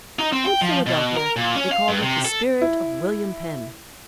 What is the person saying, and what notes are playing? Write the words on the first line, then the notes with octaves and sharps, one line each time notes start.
In Philadelphia they called it the spirit of William Penn.
D#4
C4
G5
F3
B2
A#4
A#2
C#4
F5
G2
C3
A4
E4